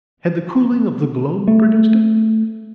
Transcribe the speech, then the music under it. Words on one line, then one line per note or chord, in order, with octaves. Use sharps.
Had the cooling of the globe produced it?
A3